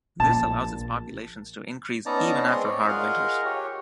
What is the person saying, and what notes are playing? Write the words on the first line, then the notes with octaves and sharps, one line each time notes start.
This allows its populations to increase even after hard winters.
A#1 A#2 A5
B3 C#4 D#4 D5 A5 A#5
G#3 C4 G#4 C6
C#5 D5
F4 G#4 A#4 D#5 F5 F#5
G4 C#5